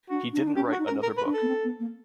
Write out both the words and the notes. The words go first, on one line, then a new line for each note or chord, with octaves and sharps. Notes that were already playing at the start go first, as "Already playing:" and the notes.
He didn't write another book.
D4 F#4
D4
D#4
D4
C#4 G4
D4
F#4
D#4
A#4
C#4
A#4
B4
D4
A4
B3
C4
B3
A#3